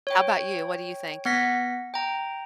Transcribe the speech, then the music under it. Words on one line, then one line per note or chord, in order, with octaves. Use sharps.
How about you, what do you think?
C#5 G5
B3 F#5 A#6 B6
G5 A#5